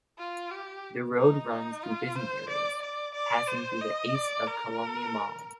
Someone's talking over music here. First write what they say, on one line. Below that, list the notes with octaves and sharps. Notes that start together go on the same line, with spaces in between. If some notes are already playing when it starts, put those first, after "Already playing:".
The road runs through business areas, passing to the east of Columbia Mall.
F4
G4
D#4
D#4
F4
C5
D5
D5
D5
C5
D#5
D5
A#4